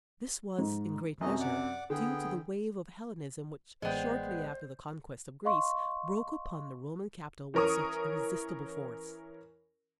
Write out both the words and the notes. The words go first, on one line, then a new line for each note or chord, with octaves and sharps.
This was, in great measure, due to the wave of Hellenism which, shortly after the conquest of Greece, broke upon the Roman capital with such irresistible force.
G#2
F#2 C3 E3 A3 D#5
D5 F#5 D6
D3 B3 G#4 G5
A1 G#3 B3 C5 D5 D#5 G5
D#5 F5 C6 C#6
E3 C#4 A#4 C#6 D#6